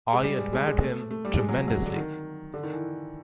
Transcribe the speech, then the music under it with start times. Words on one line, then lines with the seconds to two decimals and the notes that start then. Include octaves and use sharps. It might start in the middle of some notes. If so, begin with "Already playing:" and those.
I admired him tremendously.
0.13 G#3
0.24 G3
0.38 G#3
0.53 G#3
0.67 G#3
0.81 A3
1.11 A3
1.25 G3
1.39 G#3
1.49 F#3
1.68 F#3
1.86 D3
1.96 D#3
2.54 D3
2.63 D#3
2.73 E3